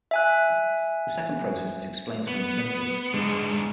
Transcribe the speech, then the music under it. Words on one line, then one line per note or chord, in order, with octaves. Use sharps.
The second process is explained through incentives.
E5 G#5 F#6
B3
G#2 D3 G#3